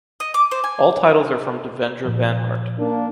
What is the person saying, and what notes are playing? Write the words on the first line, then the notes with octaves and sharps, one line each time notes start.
All titles are from Devendra Banhart.
D#5
D6
C5
G#5
A#2 F3
A#3 D4